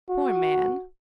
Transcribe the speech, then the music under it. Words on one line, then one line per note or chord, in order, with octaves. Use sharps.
Poor man!
F#4